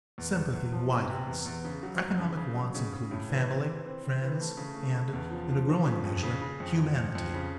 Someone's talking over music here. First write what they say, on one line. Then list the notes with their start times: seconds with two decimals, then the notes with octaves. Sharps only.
Sympathy widens; economic wants include family, friends, and, in a growing measure, humanity.
0.18 E2
0.36 E2
0.53 E2
0.72 F3
0.91 C3
1.10 C3
1.27 E2
1.46 E2
1.65 C#3
1.83 F#3
2.01 F#2
2.20 C#3
2.37 C#3
2.55 F#3
2.75 C#3
2.93 C#3
3.11 A2
3.29 E3
3.48 C4
3.66 E3
3.85 C4
4.03 C4
4.21 E3
4.40 A3
4.57 C#3
4.76 A3
4.95 C#3
5.13 E2
5.31 F3
5.49 F3
5.69 F3
5.86 C#3
6.04 F2
6.23 C#3
6.41 C#3
6.60 F2
6.79 F2
6.97 F2
7.15 F2
7.34 C#3